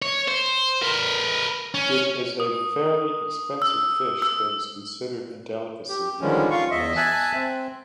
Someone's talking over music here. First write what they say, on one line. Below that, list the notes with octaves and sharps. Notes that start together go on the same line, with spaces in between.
It is a fairly expensive fish that is considered a delicacy in most places.
C#5
C5
A#4 B4
C#4
D#6
E6
E6
G4
D3 D#3 F3 G3 G#3 C#4
F4 F5 C#6
E2 D#5 E5
E5 G#5 A5 F#6
C4